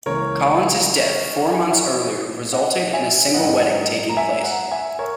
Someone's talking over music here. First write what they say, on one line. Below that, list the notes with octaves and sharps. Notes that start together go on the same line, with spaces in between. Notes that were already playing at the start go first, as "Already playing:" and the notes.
Collins' death four months earlier resulted in a single wedding taking place.
C#2 C#3 E3 A#3 A#4 C#5
A#5
G#5
F#5
C#5 E5
D#5 F#5
E5 G#5
G#2 F#3 A#3 D#5 F#5
A#5
E5 G#5
F#5 A#5
E5 G#5
A#4 C#5